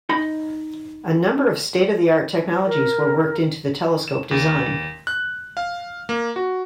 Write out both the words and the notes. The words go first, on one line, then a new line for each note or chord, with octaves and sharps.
A number of state-of-the-art technologies were worked into the telescope design.
D#4 D#5 B5
A#4
E7
D#2
F#6
F5
A#3
F#4